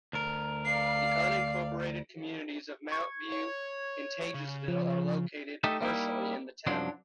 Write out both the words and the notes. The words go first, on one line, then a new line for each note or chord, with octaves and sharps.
The unincorporated communities of Mount View and Taegesville are located partially in the town.
D2 A#4
D5 F5 C7
C#6 G#6
C#5
C#3
F3
A3 D#4 G4 A4 D#5 E5
G3 A#3 D#4 E4
C2 F#2 F3 F#3 D4 C6